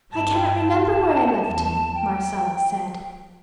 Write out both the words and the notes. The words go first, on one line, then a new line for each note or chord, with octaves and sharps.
"I cannot remember where I left him!" Marcella said.
G2 A5
G5
A5
E2
G5